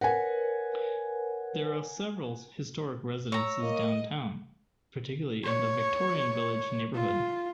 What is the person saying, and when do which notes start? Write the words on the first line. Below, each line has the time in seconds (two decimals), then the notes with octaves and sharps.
There are several historic residences downtown, particularly in the Victorian Village neighborhood.
0.01 A#4 B4 C#5 F#5 G#5
3.32 C#5 A#5 E6
3.62 A#3 D#5
5.44 C#5
6.94 F4